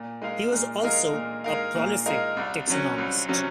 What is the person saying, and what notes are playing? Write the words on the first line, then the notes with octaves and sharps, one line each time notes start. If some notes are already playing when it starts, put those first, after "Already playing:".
He also was a prolific taxonomist.
Already playing: A#2
G#3 D#4 A#4 F5
A#2
G#3 D#4 A#4 F5
A#2
G#3 D#4 A#4 F5
A#2
G#3 D#4 A#4 F5
C2
C3 F#3 C#4
C2
C3 F#3 C#4